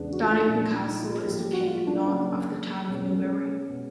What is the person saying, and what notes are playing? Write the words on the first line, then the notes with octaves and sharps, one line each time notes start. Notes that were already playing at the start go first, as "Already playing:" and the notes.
Donnington Castle is located north of the town of Newbury.
Already playing: E2 C#3 E3 G#3 B3 D4
F#4
F4
E4
D#4
A#2 F3 G#3 D4
D4
D4
D#4
F4
A2 F3 A#3 G4
G4
F#4
F4
D4
C#3 F#3 A#3 D4
B2 G#3 B3 C#4
C#4
C#4
C#4
B2 G#3 B3